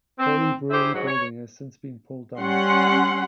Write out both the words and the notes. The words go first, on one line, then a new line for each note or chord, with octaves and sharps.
Pauli brewery building has since been pulled down.
C4
E4 G4 G#4 C5
G#2 F#3
C#5
G3 C#4 F#5 C6